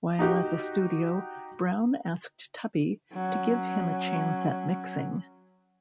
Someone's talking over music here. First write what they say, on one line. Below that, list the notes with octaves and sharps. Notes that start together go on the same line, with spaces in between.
While at the studio, Brown asked Tubby to give him a chance at mixing.
D#4 F#4 G4
F#3 C#4